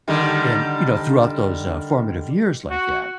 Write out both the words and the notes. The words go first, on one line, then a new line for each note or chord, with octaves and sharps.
and, you know, throughout those, uh, formative years like that,
D3 D#3 G3
F#4